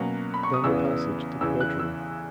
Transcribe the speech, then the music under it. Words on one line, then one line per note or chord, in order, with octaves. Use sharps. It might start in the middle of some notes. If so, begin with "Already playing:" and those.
Down the passage to the bedroom.
Already playing: B2 F#3 A#3 C#4
B5
C#6
D#6
E2 C#3 E3 B3 E6
E2 C#3 E3 E6
F#6
E6